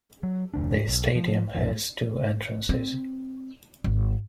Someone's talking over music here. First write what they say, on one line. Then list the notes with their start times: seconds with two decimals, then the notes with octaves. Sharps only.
The stadium has two entrances.
0.23 F#3
0.54 F1 D2 D4
0.88 B1
1.15 F3
1.55 B1 F#2 D#3 F3
2.69 C4
3.84 G#1